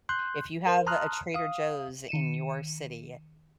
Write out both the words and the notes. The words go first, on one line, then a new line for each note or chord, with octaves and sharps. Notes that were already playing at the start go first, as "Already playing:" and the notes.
If you have a Trader Joe's in your city,
C6 F#6 G6
A#4 C5
A5 A#5 C6 D#6 F6 F#6
F5 D#6
D#3 C#7 D#7 E7